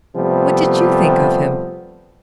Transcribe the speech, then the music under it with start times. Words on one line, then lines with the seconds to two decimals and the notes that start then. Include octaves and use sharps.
What did you think of him?'
0.15 C3 F3 G3 A3 B3